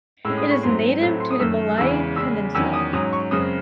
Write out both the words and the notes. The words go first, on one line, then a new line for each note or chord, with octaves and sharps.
It is native to the Malay Peninsula.
A2 G#3 C#4 E6
D#6
C#6
G#2 F#3 C4 C6
A2 F#3 A3 C4
C6
D#6
F#2 D#3 A3 E6
E2 C#3 E3 G#3 E6
E2 C#3 G#3 E6
E2 D#3 F#3 C#4 E6
D#6
G#2 F#3 C#4 D#6
C#6
F#2 C#3 G#3 C4 D#6